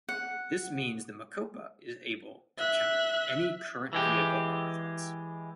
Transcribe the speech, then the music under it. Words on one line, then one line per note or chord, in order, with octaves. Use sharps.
This means the Mokopa is able to counter any current vehicle armour threats.
F#5
E5 F#6
E3 G#3 G4